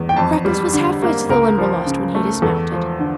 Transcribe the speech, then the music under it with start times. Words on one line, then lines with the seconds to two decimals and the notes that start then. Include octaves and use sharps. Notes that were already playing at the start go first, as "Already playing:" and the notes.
Freckles was halfway to the Limberlost when he dismounted.
Already playing: E2
0.09 G5
0.16 F2 A5
0.45 G3
0.73 D3
1.02 A#3
1.29 C#2 A#4
1.58 F3
1.86 C#3
2.15 A3
2.42 E2 A4
2.71 F3
2.99 D3